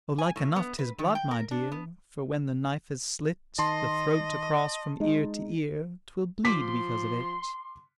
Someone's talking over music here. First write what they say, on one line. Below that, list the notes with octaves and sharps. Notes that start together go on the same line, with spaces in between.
"Oh like enough 'tis blood, my dear, For when the knife has slit The throat across from ear to ear 'Twill bleed because of it."
G#5
A2
B3
B4
D#3
G5
A#4
D4
B3
D#3 D#5 A5 C6
G#3 D#4
F3 C6 D6 B6